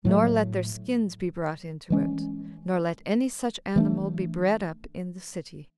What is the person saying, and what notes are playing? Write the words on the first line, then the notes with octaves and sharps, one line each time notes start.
Nor let their skins be brought into it; nor let any such animal be bred up in the city.
A2 F#3 A3
E3 G#3 C#4
E3 A3 D4